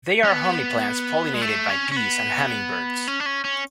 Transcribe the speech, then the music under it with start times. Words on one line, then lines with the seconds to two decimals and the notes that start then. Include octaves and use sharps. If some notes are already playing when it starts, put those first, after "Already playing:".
They are honey plants pollinated by bees and hummingbirds.
0.25 C#4
0.31 B3
1.34 G#3
1.42 A3
1.69 C#4
1.92 C#4
1.96 B3
3.07 C#4
3.20 D4
3.26 C#4
3.44 C#4